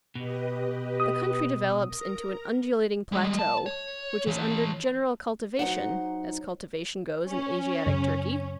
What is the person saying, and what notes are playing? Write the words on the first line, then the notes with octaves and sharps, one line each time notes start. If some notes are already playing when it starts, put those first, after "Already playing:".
The country develops into an undulating plateau, which is under general cultivation, as cultivation goes in Asiatic Turkey.
B2 G4 B4 D#5
D#6
A#4 A#5
G3 G#3
A5
C#5
E3 C#5
F#3 D#4 C5 F#5
C#4
F#2 C#3